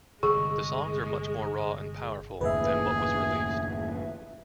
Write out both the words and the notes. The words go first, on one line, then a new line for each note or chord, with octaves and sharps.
The songs are much more raw and powerful than what was released.
G1 C3 G#3 G#4 C#6
F#1 D#2 A2 G#4 B4 E5